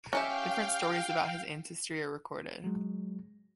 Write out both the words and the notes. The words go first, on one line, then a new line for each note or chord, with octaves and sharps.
Different stories about his ancestry are recorded.
C#4 G4 E5 F5 G5
F#3 G#3